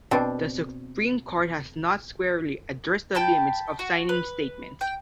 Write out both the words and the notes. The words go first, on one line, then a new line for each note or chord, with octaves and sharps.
The Supreme Court has not squarely addressed the limits of signing statements.
B2 C4 D4
G5 A5 B5 G6
F#4
B4
G5